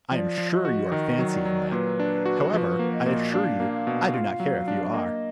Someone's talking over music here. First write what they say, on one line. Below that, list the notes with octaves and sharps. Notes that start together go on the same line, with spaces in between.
I am sure you are fancying that ... However, I assure you I do not care if you are....
F3 D5
F3
D#5
F#4
D#3 D#5
F#3
D5
F#3
A#2 B4
D4
F#4
F3 B4
A#3
D#5
A#2
D4 F5
A#3
F5
B2
F4
F#3
D4
A#3 D#5